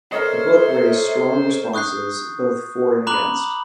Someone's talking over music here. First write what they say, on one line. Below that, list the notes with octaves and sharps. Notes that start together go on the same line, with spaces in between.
The book raised strong responses, both for and against.
A4 A#4 C5 C#5 D#5 E5
C#6 D#6 F#6 G6 C7
A#5 B5 D6 F#6 F#7